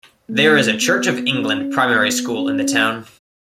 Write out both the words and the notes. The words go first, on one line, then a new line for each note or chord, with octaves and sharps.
There is a Church of England primary school in the town.
A3
B3
C#4
B3
C#4